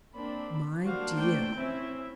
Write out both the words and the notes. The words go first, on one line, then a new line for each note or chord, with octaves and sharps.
"My dear!"
A#3 C4 D4 B5
A#3 D4 F#4 C5 F5
A3 G5
C4 C#4 E4 E5